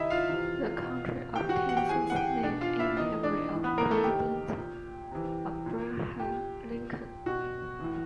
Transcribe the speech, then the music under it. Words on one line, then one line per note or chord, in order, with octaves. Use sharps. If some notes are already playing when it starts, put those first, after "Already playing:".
The county obtains its name in memory of President Abraham Lincoln.
Already playing: C3 D#3 D#4 E4 D#5 E5
F4 F5
C3 E3
B2
A2 E3 G4 G5
F#4 F#5
F#5
G4 G5
A2 E3 G#4 G#5
F#5
G4 G5
B2 D4 D5
F4 F5
E4 E5
A2 E3 D#4 D#5
D4 D5
A2 E3
B3 B4
A#3 A#4
A3 A4
C3 D#3 G4
A#2
C3 E3
A#2
A#2 G4
A#2
B2 F#4
A2 E3